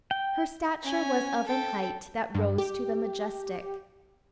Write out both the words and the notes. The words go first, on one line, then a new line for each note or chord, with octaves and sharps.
Her stature was of an height that rose to the majestic.
G5
C#4 G#5
A4 G5
G2
G4